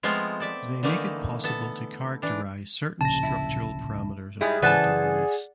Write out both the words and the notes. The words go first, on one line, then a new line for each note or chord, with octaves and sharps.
They make it possible to characterize certain structural parameters of quantum release.
F3 G#3 A3 B3 C4 F4
A4 D5 E5
D3 E3 A3 A#3 D#4
B3 A4
E3 D4
D1 A#1 C#3 A5 A#6
E4
G#2 G3 E4 G#4
C#3 E3 B4 C5 D5 F#5 A5 A6